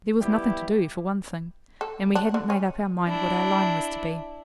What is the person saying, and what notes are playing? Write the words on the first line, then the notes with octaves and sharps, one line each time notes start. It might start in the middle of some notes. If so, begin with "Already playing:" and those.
There was nothing to do, for one thing; and we hadn't made up our mind what our line was to be.
G3 B3 E4 G4
A4
D4
D3
C#4
D4 E4